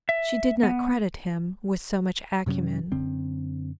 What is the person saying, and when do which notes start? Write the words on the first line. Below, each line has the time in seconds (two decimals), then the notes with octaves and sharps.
She did not credit him with so much acumen.
0.09 E5
0.63 B3
2.46 F#2 C3 F#3 C#4
2.92 F#2 D3 C4